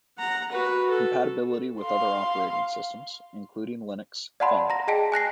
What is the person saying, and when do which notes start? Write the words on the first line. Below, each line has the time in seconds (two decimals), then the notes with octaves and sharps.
Compatibility with other operating systems, including Linux, followed.
0.18 F#5 A#5
0.52 F#4 B4
0.90 A4
1.82 F5 C6
4.40 D5 F5 F#5 A5 B5 C6
4.70 A#5 A#6
4.88 G#4 D#5 G5 A5 B6 D7
5.12 G#5 F#6 A#6 C7